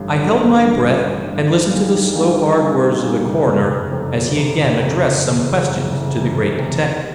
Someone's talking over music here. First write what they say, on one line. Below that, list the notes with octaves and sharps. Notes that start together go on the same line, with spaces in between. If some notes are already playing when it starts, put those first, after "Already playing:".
I held my breath, and listened to the slow, hard words of the coroner, as he again addressed some questions to the great detective.
Already playing: A1 G2 D3
A1
G2 D3
A1
G2 D3
A1
G2 D3
D3
G3 A#3 D#4 G#4
D3
G3 A#3 D#4 G#4
D3
G3 A#3 D#4 G#4
D3
G3 A#3 D#4 G#4
F#1
F2 C3
F#1
F2 C3
F#1
F2 C3
F#1
F2 C3
F#1
E2 C3
F#1
E2 C3
F#1
E2 C3
F#1
E2 C3
D#2